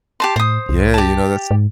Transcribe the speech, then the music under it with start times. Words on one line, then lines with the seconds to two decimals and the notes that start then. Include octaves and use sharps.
Yeah, you know, that's
0.20 G4 A5 C6
0.36 A2 C5 D#6
0.69 C2
0.94 G4 A5
1.51 G#2